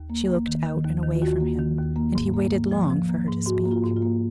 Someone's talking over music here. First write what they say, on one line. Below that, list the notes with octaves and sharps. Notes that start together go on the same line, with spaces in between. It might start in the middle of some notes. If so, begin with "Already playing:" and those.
She looked out and away from him, and he waited long for her to speak.
Already playing: D#2
A#3
A#3
D#3
D#3
D#2
D#3
F4
D#2 F#4
A#3
D#3
D#2
A#3
G#2
A#3
A#3
F3
F3
A#3
G#2
G#2 F#4
A#3
F4
G#2
F4
A#3